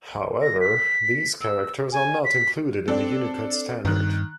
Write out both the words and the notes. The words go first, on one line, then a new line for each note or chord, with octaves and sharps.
However, these characters are not included in the Unicode standard.
A#6
B6
E6
G#5
B6
C4 D4 A4
G2 D#3 F#6